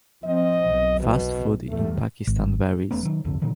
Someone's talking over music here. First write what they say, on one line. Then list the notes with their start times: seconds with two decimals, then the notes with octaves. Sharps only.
Fast food In Pakistan varies.
0.24 F3 C4 D#5
0.69 B1
1.00 B2
1.69 E2 A2 G3 A3
2.27 G#1
2.91 E1 A3 B3 C#4
3.03 D#3 F#3
3.24 G1 C2 F2 D3
3.42 A#2 D3 D#3 F3